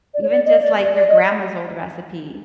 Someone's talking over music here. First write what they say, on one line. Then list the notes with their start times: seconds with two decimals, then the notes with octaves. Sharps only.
Even just, like, your grandma's old recipe.
0.14 D5
0.22 C#5
0.29 D5
0.46 D#5
0.62 D5
0.77 D5
0.93 D5
1.09 D#5